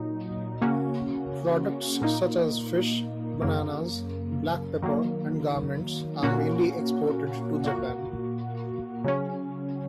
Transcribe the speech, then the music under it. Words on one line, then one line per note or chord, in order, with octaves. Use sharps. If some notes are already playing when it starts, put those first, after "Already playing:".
Products such as fish, bananas, black pepper, and garments are mainly exported to Japan.
Already playing: A#2 F#3 D#4
C#3 A#3 C#4 F#4
A#2 A#3 D#4
F#2 C#3 A#3
D#3 F#3 A#3
A#2 A#3 C#4 F#4
A#2 A#3 F#4
C#3 F#3 C#4